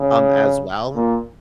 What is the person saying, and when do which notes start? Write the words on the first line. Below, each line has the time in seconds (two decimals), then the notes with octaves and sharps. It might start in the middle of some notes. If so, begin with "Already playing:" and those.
um, as well.
Already playing: C#3
0.95 A#2